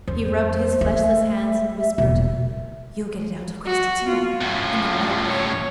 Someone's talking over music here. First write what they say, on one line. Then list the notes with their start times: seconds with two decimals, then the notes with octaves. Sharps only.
He rubbed his fleshless hands, and whispered: "You'll get it out of Cristy to-morrow, and I'll help you."
0.08 F2 C5
0.81 A3 E5
1.98 E1 B2
3.66 F#4
4.09 F4
4.41 F#2 A2
5.26 C#5